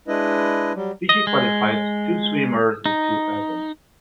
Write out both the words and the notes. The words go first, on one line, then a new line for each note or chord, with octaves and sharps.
Fiji qualified two swimmers in two events.
G#3 D4 E4 B4 D#5
F#3 G3
D#5
G#3
D#4